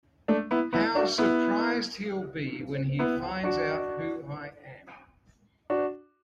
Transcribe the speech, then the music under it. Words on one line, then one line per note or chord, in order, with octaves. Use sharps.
How surprised he’ll be when he finds out who I am!
A3 D4
B3 E4
B3 E4
D4 F#4
B3 E4
B3 E4
D4 F#4
D4 F#4